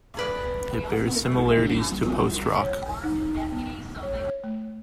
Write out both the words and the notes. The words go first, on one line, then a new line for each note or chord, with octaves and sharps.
It bears similarities to post-rock.
G#4 B4 D5
G3
C#5
D#4
G5
B3
C#5
C#5
A3